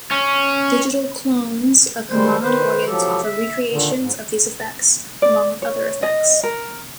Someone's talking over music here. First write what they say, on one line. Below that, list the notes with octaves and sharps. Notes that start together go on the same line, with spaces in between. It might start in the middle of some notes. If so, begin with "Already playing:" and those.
Digital "clones" of Hammond organs offer recreations of these effects, along with other effects.
C#4
D#3 G3 G#3 C5
D#3 B4 C5
F3 F#3 G4 A4
E5
A#2 D3 D#3
G#2
D5
C#5
D#5
A#4